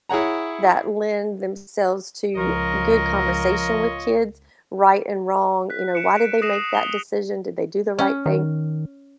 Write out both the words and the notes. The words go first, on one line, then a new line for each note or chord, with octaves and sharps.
that lend themselves to good conversation with kids, right and wrong, you know, why did they make that decision? Did they do the right thing?
E4 G#4 C#5 F#5 A#5
C#2 F3 F4 A#4 C#5 D#5
F#6 B6
C#7 D7 E7
F#6 D7 E7
D#6 A#6 C7 D#7 E7
D#6 F7 G7
C#4
D#3